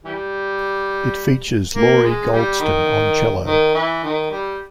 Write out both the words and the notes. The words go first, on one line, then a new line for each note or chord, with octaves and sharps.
It features Lori Goldston on cello.
E3 G3
A#3
G#3
G3
D#3
D#3
E3
D#3
G3